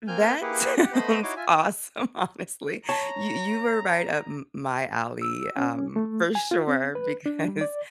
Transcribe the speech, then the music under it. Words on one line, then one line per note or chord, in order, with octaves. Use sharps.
That sounds awesome, honestly. You you were right up m my alley, um, for sure, because
A#3 C4 G#5 F6 G6
A#3 E4 G4 G#4 B4 F#5
G4 F#5
A3 B3 C5 D#5 B5 C6
D#4 E4 F#4 C#5 C6 D6
F4 E5 G#5
C#5 A5 A#5
E6
C#4
A3
G#5
F4
C4
B4
D4
G3
D5